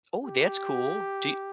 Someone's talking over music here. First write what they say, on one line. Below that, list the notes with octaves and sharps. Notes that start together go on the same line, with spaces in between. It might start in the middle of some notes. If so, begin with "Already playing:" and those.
Oh, that's cool. Do y
G4